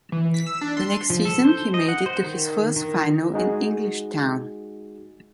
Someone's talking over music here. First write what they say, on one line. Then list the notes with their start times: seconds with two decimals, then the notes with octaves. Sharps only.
The next season, he made it to his first final in Englishtown.
0.12 E3
0.34 B6
0.47 E6
0.61 D4
0.77 C6
1.10 F3
1.25 A4
1.44 C5
1.74 D#5
1.88 F#5
2.06 C5
2.22 D#3
2.76 D#3
3.34 G#3 D#4 F#4 G#4